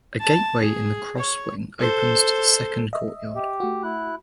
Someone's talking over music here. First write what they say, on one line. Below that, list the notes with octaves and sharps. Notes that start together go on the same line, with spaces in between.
A gateway in the cross wing opens to the second courtyard.
A5
G#4
C#5
A4 C5
D#5 E5
G4
A3 F#4
E4 F#6